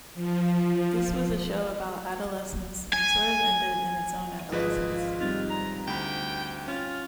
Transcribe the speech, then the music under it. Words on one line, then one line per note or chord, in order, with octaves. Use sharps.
This was a show about adolescence and sort of ended in its own adolescence.
F3
G#5
G#1 F3 F4 G#4 B4 D#5
F4
G3 C4 D#4 F4
A#5
D2 G5 B5
C#4 F4